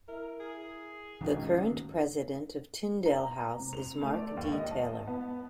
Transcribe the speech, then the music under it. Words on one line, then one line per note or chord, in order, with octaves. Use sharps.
The current president of Tyndale House is Mark D. Taylor.
E4 A#4
G#4
C#2 G#2 D#3 F#3
A#5
C3
F7
A3
D5
D#2
D#5
A5
B3